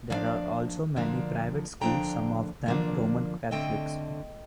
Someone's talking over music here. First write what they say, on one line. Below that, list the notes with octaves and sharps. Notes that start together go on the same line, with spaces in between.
There are also many private schools, some of them Roman Catholic.
D3 F3 A#3 D4 D5 F5
D3 F3 A#3 D4
D3 F3 A#3 D4 G5 A#5
D3 F3 A#3 D4
D3 A3 C4 D#5 G5